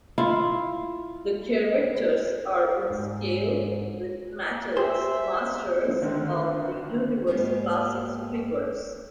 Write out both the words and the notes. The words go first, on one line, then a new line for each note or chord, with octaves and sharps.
The characters are in scale with Mattel's Masters of the Universe Classics figures.
E4 F4
G#2
G4 G#4 C5 E5
D3 D#3 A3 C4
G#2 G3 G#3 A#3 B3 G4